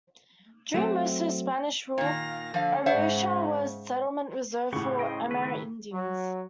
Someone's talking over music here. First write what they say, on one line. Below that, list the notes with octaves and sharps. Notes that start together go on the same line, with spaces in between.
During most of the Spanish rule, Arouca was a settlement reserved for Amerindians.
F#3 A3 C4
A#2 D#3 F5 A#6
D3 F3 F5
G#2 C#3 C5 E5 F#5
A2 C#3 G4 F#5 C#6
C5 D#5 G5
D#3 A3 B4
F#3